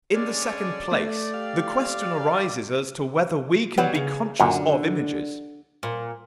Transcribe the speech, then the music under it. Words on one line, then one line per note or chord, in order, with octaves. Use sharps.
In the second place, the question arises as to whether we can be conscious of images.
D3 G#3 C#4 D5
A3
G4 F5
F#3 G3 B3
C#3
F#2 A#2 D3
A#2